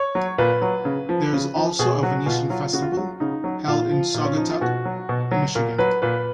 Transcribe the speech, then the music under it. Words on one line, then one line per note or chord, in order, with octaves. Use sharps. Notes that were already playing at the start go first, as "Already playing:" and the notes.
There is also a Venetian Festival held in Saugatuck, Michigan.
Already playing: C#5
F#3
A#2 B4
F#3
C#3
F3
C#3
F3
B2 G#4
F#3 F#4
B2 F4
F#3 F4
C#3 F#4
F4
F#4
F#3
C#3 D#4
F#3
A#2 F4
F3
A#2
C#4
F3 D#4
F4
B2 F#4
F#3
B2
F#3
A#2 A#4
F#3 B4
A#2 B4